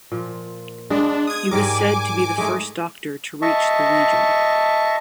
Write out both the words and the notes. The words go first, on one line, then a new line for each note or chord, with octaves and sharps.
He was said to be the first doctor to reach the region.
A#2 F3
G#3 B3 D4
D#6 G#6
G#2 G3 A#4 G#5 D6
G#3 A3 D#4
D#5 E5 A5 C#6